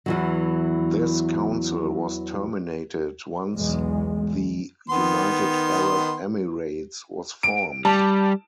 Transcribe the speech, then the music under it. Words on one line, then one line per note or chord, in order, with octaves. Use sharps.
This council was terminated once the United Arab Emirates was formed.
E2 E3 F#3
B1 E2 G#3
D#3 B3 C6
D7
G3 A5